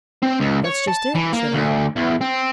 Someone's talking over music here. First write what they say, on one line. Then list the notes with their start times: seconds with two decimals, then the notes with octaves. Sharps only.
"That's just it," said I.
0.22 C4
0.40 C#2
0.65 C#5
0.88 A5
1.15 E3
1.33 A#3
1.54 D2
1.96 E2
2.21 C4